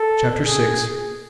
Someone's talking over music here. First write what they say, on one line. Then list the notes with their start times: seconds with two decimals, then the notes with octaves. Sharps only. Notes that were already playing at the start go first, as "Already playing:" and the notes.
Chapter VI.
Already playing: A4
0.46 G#4